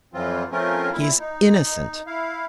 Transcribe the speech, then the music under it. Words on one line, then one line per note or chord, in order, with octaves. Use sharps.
"He is innocent."
F2 E3 F#3 C4 F4
F3 A3 C4 C#4 F4 A#4
A#2 E4
D#4
E4 F5